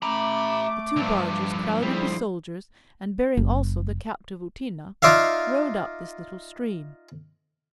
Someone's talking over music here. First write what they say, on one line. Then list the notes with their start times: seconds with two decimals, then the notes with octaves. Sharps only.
The two barges, crowded with soldiers, and bearing also the captive Outina, rowed up this little stream.
0.03 A3 E5 A#5 B5 D6
0.97 C#2 G2 D3 F3
1.82 G3 E4 G#4 C5
3.37 F#1
5.02 D#4 F4 D5 E5 F5